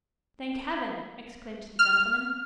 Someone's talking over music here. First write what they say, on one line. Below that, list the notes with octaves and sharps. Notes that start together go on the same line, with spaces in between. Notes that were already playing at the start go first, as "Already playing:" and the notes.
'Thank Heaven!' exclaimed the gentleman.
F6